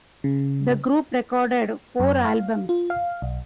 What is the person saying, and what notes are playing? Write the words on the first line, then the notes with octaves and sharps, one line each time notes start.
The group recorded four albums.
C#3
F#2
F5
F4
F5
B1